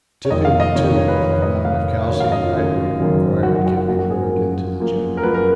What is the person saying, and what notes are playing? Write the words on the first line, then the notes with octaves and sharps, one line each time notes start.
By tipping the tube the amount of calcium hydrate required can be poured into the generator.
C#5
F1 F2 D#3 D#5
F5
D#5
F1 F2 D#3 C#5
C#5
C#5
B4
F1 F2 D#3 C#5
D#5
D#5
F1 F2 D#3 F5
F#1 F#2 D#3 F#3 C#5
F5
D#5
F4
F#1 F#2 D#3 F#3
F#1 F#2 D#3 F#3
F#1 F#2 D#3 F#3 F#4
F#4
F#4
F#4
F#2 F3 A#3 F#4
F#4
G#4
A#4
F#2 F3 A#3
F#2 F3 A#3
A#4
F#2 F3 A#3 B4
A#4